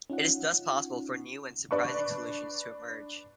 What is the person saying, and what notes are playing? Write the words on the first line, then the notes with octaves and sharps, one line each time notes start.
It is thus possible for new and surprising solutions to emerge.
C#4 D#4 F4 F#5
D4 B4 C#6